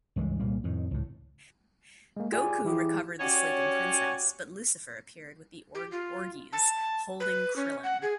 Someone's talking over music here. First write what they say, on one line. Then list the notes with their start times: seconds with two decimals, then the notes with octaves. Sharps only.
Goku recovered the Sleeping Princess, but Lucifer appeared with the orges, holding Krillin.
0.16 C#2 G2 E3 G#3
0.39 C2 A#2 G3 A#3
0.64 F2 A2 D#3
0.91 C#2 A2
2.17 G#3 A#3
2.32 F4 G4 G#4 D5 G#5
2.65 E3 E4 G4 G#4
3.20 C#4 F#4 G4 C#5 D5 F#5
5.75 G4
5.92 F4
6.53 A5
7.20 B4
7.56 C#4
7.84 F#5
8.02 G#4